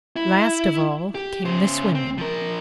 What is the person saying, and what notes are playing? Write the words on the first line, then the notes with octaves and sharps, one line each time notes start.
Last of all came the swimming.
E4
G4
C#3 C5
C4
F3 A#4